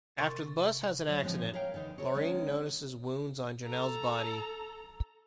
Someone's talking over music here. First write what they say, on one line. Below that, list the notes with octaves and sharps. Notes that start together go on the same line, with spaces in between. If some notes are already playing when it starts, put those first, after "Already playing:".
After the bus has an accident, Lurene notices wounds on Jonell's body.
C3 C6 A6
F#3
A2 D3 F3 G#3 A3 C4
A#4 C#5 E5 F5 G5
D3 E3 D#4
A4 A#4 C#5
D3 D#3 G#3 C#4 D#4
A4 A#5